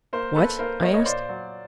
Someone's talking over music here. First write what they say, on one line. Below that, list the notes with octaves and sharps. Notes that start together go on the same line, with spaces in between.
"What?" I asked.
A#3 A#4 C5
A#3 A4 B4
A#3 A#4 C5
A#3 C#5 D#5
C#5 D#5
A#2 C5 D5
F#3